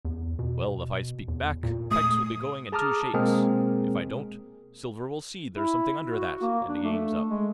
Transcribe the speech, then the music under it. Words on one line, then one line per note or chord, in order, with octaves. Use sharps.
Well, if I speak back, pikes will be going in two shakes; if I don't, Silver will see there's something under that, and the game's up.
E2
B2
E2
A#2
A3 D#6
G#4 A5 A#5 D6 D#6 F6
B2 G#3 A#3 C4 G#4 A#4
E4
F#4
A#3
D4
A3
G#3